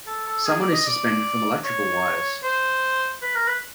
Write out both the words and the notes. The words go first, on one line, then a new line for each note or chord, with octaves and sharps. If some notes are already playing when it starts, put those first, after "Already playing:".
Someone is suspended from electrical wires.
A4
A4
G#4
D5
D#5
D5
C#5
C5
B4
A#4
B4